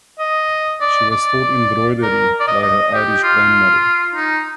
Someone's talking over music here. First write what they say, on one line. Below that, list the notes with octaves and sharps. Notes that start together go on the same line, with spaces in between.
She was taught embroidery by her Irish grandmother.
D#5
D5
D5
A#4
D5
D#5
D#5
G4
F4
D#4